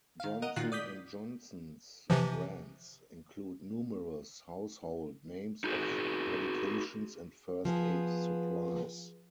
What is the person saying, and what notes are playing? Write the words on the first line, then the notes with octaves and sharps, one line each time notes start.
Johnson and Johnson's brands include numerous household names of medications and first aid supplies.
D#3 F5
A#4 D#5 F#5 D#7
A#2 D#3 D#4 F4 F#4 F#6
D5 D#6 G6 B6
C3 E3 F3
D#4 F#4 G#4
F3 B3 G#4